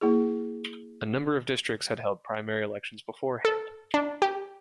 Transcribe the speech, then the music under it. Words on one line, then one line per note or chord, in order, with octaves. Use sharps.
A number of districts had held primary elections beforehand.
A#3 E4 G#4
A4
D4
G4